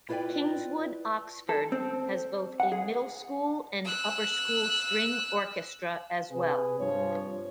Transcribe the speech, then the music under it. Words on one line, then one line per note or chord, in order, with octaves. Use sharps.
Kingswood Oxford has both a Middle School and Upper School string orchestra as well.
E4 F4 B4 C#5 D5 G5
A4
C4
F#5
G#4
E6 F#6
C3 G#4 B4
G2 F3 C#5